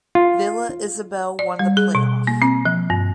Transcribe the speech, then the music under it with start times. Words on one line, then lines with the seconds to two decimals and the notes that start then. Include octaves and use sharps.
Villa Isabel won the playoff.
0.15 F4
1.39 D5
1.59 G3
1.77 G#4
1.95 B2
2.27 A#3
2.42 C4
2.66 F3
2.90 G2